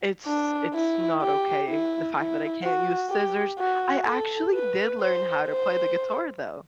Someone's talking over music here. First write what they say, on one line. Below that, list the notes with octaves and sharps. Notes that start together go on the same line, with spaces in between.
It's it's not okay, the fact that I can't use scissors I actually did learn how to play the guitar, though,
D4
E4
G4
E4
E4
F#4
G4
F#4
A4
B4
C5
C5